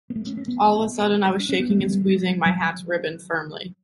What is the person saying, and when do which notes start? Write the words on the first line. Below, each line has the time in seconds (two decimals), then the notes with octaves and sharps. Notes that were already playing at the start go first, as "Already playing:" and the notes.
All of a sudden, I was shaking and squeezing my hat's ribbon firmly.
0.10 B3
0.16 A3
0.27 C#4
0.37 C#4
0.48 B3
1.40 D4
1.49 C#4
1.60 B3
1.70 A3
1.80 G3
2.46 F#3